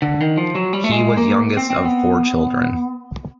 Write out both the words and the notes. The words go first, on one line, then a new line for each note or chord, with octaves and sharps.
He was youngest of four children.
D3
D#3
F3
F#3
G3
A3
G#3
A#3
C4
C4
B3